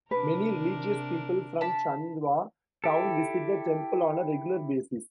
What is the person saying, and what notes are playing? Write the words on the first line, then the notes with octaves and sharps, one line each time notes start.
Many religious people from Chandwa town visit the temple on a regular basis.
C3 D4 A#4 B4
A5 B5
E4 G4 A4